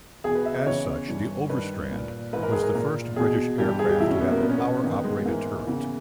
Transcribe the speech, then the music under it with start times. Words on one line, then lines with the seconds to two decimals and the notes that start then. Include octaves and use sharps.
As such the Overstrand was the first British aircraft to have a power-operated turret.
0.24 E2 B2 G#4
0.35 B4
0.45 E5
0.56 D#5
0.66 E2 C#3 E3 C#5
1.08 G2 E3
1.49 G2 D#3 B4
1.91 A#2
2.33 G#2 E3 B4
2.43 A#4
2.52 G#4
2.62 A#4
2.75 A#2 A#4
3.16 E2 B2 G#4
3.58 G2 E3 G4
3.68 G4
3.79 G#4
3.89 G4
4.00 E2 B2 E4
4.10 C#4
4.21 B3
4.31 A#3
4.42 A#2 B3
4.50 C#4
4.58 B3
4.83 E2 D#3 B3
5.04 G#3
5.25 G#2 E3 A#3
5.67 E2 C#3 E3